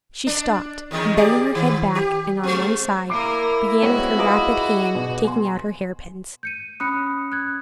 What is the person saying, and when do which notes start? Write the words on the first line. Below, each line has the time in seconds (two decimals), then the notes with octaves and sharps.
She stopped, and bending her head back and on one side, began with her rapid hand taking out her hairpins.
0.27 D4
0.91 E2 D#3 G#3
1.17 G4 G#4 D5
1.55 D#3
1.95 G4
2.43 G#3 C4
3.10 A#3 E4 A#4 D6 C7 D7
3.82 G#3 B3 C4 F#4 C#5
4.18 F4 G#4 B4 D#5 A#5 D6
4.53 B5
4.95 B2
5.24 G#5 C6
6.43 G6 C#7 D#7
6.80 C#4 B5 D#6 F#6 C#7
7.32 F#6 G#6